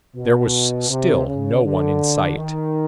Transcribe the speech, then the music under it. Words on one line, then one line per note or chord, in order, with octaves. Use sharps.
There was still no one in sight.
B2
C3
C#3
D3
D#3